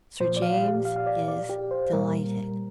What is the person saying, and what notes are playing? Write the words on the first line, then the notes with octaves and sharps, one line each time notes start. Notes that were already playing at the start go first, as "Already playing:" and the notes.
Sir James is delighted.
A#2 F3 C5
D5
F5
G4
F5
F5
D5
D5
G4
C5
A#2 G3 A#4